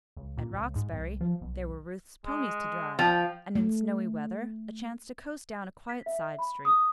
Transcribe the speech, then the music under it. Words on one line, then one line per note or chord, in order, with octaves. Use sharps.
At Roxbury, there were Ruth's ponies to drive, and in snowy weather a chance to coast down a quiet side street.
C#2
A#2
C#2
G#2
C2
F3
B1
G#3
F3 G5
A3
B6
E5
B5
D#6